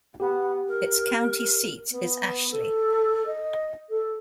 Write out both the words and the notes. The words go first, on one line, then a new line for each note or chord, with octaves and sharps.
Its county seat is Ashley.
B3 G4
A#4
B3
A4
D#5
A4